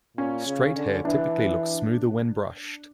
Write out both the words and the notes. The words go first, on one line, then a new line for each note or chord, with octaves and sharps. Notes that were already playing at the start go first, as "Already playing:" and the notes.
Straight hair typically looks smoother when brushed.
A#2 C#4
C#3
D3
E3 D4